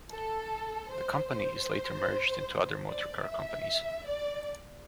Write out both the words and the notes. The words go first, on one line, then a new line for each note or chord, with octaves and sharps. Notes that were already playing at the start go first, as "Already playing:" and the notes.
The company is later merged in other motor car companies.
A4
C5
C5
D5
E5
D5